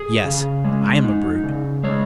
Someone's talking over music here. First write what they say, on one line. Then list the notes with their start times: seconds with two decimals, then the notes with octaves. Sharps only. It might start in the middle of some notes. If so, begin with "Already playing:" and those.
Yes, I am a brute.
Already playing: G#4
0.24 C#3
0.65 G#3
1.04 D#4
1.43 C#3
1.84 G#3 C#5